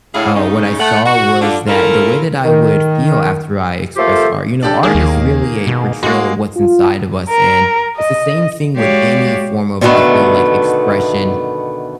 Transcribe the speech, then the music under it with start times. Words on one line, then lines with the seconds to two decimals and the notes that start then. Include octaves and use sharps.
uh, what I saw was that the way that I would feel after I express art you know, art is really a portrayal of what's inside of us, and it's the same thing with any form of, I feel like, expression.
0.14 D2 A2 E4 G#4 C#5 F5
0.35 C#3 C#4 D#4
0.80 A3 F#5
1.06 F#4
1.42 D3 D4 F4
1.68 C#4 E4 F4 A4 A#4
2.44 D#3
3.96 A3 A#3 F4 G4 A4 C5
4.63 D4 G4 A4
4.83 D#3 A#3 D4 G#4
4.95 D#2
5.67 B2
6.03 G#3 A#3 F#4
6.56 F4
7.30 A#4
7.97 D#5
8.76 G#3 F#4 G4 C#5 D5 F5
9.81 B2 D3 D#3 A3 B3